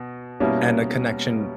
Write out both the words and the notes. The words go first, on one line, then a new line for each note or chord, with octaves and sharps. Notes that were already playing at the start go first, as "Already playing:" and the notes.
and a connection
Already playing: B2
B2 G3 A#3 C#4 E4